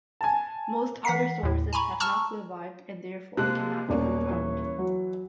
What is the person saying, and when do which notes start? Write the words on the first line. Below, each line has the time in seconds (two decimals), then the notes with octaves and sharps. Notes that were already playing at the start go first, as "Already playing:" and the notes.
Most other sources have not survived and therefore cannot be confirmed.
0.21 G#5 A5
1.05 E3 F#5 B6 C7
1.43 D#2 A2
1.73 G#5 A#5 B5 C#6
2.00 A5 A#5 C#6 E6 F6
3.37 C3 G#3 A#3 A5 F#6
3.89 D#1 B2 A#3 C#5 D5
4.31 E3
4.78 F#3